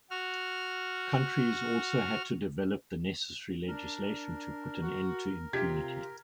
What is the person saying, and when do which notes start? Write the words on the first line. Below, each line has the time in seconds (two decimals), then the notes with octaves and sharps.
Countries also had to develop the necessary legislation to put an end to impunity.
0.10 F#4 F6
3.68 D4 A#4
4.82 F#4
5.53 C3 F4 G4 G#6 B6